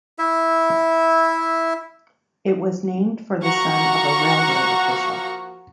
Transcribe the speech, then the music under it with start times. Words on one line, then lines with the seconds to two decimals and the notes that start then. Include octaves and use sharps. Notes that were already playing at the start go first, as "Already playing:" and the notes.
It was named for the son of a railroad official.
0.18 E4 E5
3.42 F3 A#3 F#4 F#5 A#5 C#6